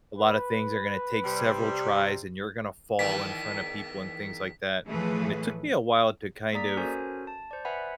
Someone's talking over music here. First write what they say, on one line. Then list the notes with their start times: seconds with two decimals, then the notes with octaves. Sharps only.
A lotta things are gonna take several tries, and you're gonna fall in front of people and things like that, and it took me a while to kind of
0.18 B4
1.24 C3 G3
2.99 E2 D#3 A#3 B6
4.88 A2 E3 F3 A3 G#4 B4
6.53 A#3 G#4 D5 A#5 D#6 B6
6.77 C#4 F#4 A4 A#4 C5 G#5
7.27 A5
7.51 C5 D5
7.65 B4 C5 E5 F#5 G#5 B5